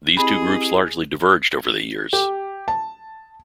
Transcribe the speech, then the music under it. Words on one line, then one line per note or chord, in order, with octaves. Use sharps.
These two groups largely diverged over the years.
C4 E4 G4 G#4 D#5 B5
G4
A5